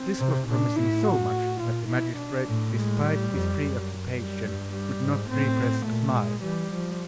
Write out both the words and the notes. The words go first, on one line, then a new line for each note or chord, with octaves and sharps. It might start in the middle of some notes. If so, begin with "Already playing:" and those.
This was promising so much that the magistrate, despite his preoccupation, could not repress a smile.
Already playing: C4
C3
A#2 D4
A2 E4
F#4
A#2 F4
B2 E4
D4
A2
G#3
G3
F2
F#2
G3
G2
G3
G#2
A2 C4
A#2 A3
G#3
E3 G3
F3